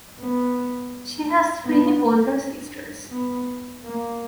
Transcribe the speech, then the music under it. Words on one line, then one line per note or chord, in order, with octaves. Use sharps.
She has three older sisters.
B3
B3
B3
A#3